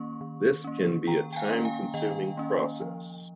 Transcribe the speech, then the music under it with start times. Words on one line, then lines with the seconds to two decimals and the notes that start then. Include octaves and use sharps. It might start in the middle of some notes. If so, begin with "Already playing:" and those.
This can be a time-consuming process.
Already playing: D#3 A#3 C#4 C#6
0.21 D#3
0.64 A#3 C#4
1.07 D#3 G5 A#5
1.32 G5
1.36 F5 G#5
1.50 A#3 C#4
1.65 F5 G#5
1.94 D#3 D#5 G5
2.37 A#3 C#4
2.81 F3